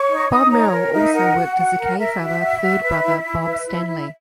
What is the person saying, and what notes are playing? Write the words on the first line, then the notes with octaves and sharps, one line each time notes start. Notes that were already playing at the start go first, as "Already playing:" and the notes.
Bob Merrill also worked as a kayfabe third brother, Bob Stanlee.
Already playing: C#5 C#6
D#4
D#4 D#6
C#5 A#5
A#4
D#4 E5
A#4 F#5
F#4
F#4
A#4
A#4 E5
F#4
F#4
F#4
B4
E4
E4
B4
E4 E5
E4